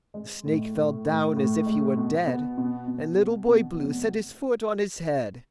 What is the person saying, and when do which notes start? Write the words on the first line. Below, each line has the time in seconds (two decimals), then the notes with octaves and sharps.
The snake fell down as if he were dead, And Little Boy Blue set his foot on his head.
0.14 G#3
0.45 A2
0.75 A2
1.05 A2
1.36 A2
1.66 G#3
1.97 B2
2.27 B3
2.58 B2
2.88 B2
3.18 B2
3.48 B2
3.79 F1